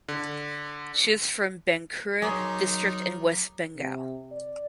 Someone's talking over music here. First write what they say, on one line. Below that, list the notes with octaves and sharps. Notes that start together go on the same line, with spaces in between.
She is from Bankura district in West Bengal.
D3
D#3 F#3 G#4 A#4 C#5 A#5 C6 D6
C3
D5